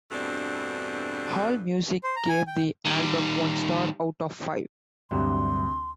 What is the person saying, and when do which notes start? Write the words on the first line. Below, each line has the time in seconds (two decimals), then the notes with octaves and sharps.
Allmusic gave the album one star out of five.
0.11 E2 G2 B2 A3 C4 D4
2.03 C5
2.16 A#5
2.29 G#5
2.47 G5
2.85 D#3 G3
5.11 D2 G2 C3 F#3 C6